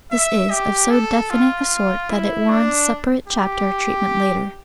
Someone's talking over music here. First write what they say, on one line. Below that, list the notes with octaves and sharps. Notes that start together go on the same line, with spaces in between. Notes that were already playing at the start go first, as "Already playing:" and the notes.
This is of so definite a sort that it warrants separate chapter-treatment later.
E5
G4
A4
F4
E4
D4
G4